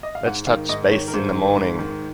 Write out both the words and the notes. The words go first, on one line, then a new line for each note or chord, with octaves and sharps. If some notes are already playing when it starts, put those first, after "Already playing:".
Let's touch base in the morning.
D#5
F5
G#2 F#5
D#3 F5
G#2 D#5
D#3 C#5
A#4
G#2 C5
D#3
G#2
D#3